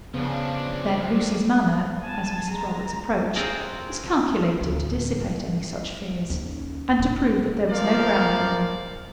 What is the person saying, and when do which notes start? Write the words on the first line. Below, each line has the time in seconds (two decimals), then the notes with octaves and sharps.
But then Lucy's manner, as Mrs. Robarts approached, was calculated to dissipate any such fears, and to prove that there was no ground for them.
0.14 C#3 F3 B3 D4
2.02 G#5 A5
2.49 G#3 A#5
3.36 C4 F4 F#4 G#4 A#4
4.61 D2 A2
5.27 E4
6.30 D#2 C#4
6.99 D#1
7.70 F3 A#3 A#4 D5 F5